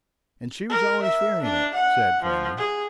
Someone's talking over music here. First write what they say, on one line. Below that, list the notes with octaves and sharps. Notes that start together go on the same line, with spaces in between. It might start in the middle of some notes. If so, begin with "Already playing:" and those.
"And she was always fearing it," said Fanny.
A#4
E5
D4
F#5
F3
G#4